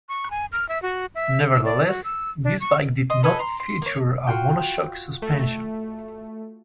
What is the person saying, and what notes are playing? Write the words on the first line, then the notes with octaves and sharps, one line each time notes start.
Nevertheless, this bike did not feature a mono-shock suspension.
C#6
G#5
F6
E5
F#4
E5
E6
D5
F#4
E6
D4
C#6
D#5 C6
A4 B4 D#5 G#5
A#5 C6
C6
A#3 C#5
F4 F#4 G5
A3